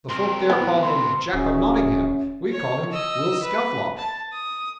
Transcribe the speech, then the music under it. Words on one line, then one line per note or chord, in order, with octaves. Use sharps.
The folk there call him Jock o' Nottingham; we call him Will Scathelock.
C4 A#4 C6
B3 E4
B5 C6
D1 D3 C#4 F#4 G#4 E5
C#5
D#5 E6
B4
A5
D#6